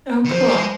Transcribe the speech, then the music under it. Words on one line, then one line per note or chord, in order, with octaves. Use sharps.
Oh, cool.
D#3
F3 C5
A#3
G#3